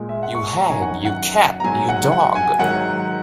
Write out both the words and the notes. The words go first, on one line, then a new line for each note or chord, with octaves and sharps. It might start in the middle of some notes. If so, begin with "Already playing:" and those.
You hag, you cat, you dog!
Already playing: A#2 G#3
E5
F#5
C#6
C#6
A#5
F#2 D#3 F#3 G#5
F#5
F#5
A#5
G#2 F#3 G#5
F#5
F#5
G#5
G#2 D#3 F#3 F#5